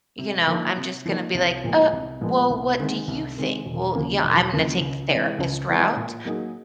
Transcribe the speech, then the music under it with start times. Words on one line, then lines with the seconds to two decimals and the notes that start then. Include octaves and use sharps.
you know, I'm just gonna be like, "Uh, well, what do you think? Well, you know, I'm gonna take the therapist route."
0.19 C3
0.48 F3 A#3 D#4
0.77 C3
1.06 F3 A#3 D#4
1.34 C2
1.64 A#2 F3 G#3 B3
1.93 C2
2.21 A#2 F3 G#3 B3
2.50 C2
2.79 C3 D#3 G#3 C4
3.08 C2
3.37 C3 D#3 G#3 C4
3.66 E1
3.94 D#2 C#3 F3 A#3
4.24 E1
4.52 D#2 C#3 F3 A#3
4.81 C#2
5.10 C3 E3 G#3
5.38 C#2
5.68 C3 E3 G#3
5.96 A#2
6.25 F#3 A#3 D#4 G#4